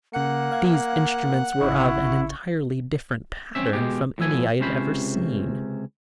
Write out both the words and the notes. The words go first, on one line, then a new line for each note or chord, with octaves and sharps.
These instruments were of an entirely different pattern from any I had ever seen.
C#3 A#3 F#5 C#7
F5 G#6
A1 C#3 E4 C#6
C4 C#4 E5
B2 G#3 G4
A2 F3 E5 G#5
C#2 C3 C#4 C5 B5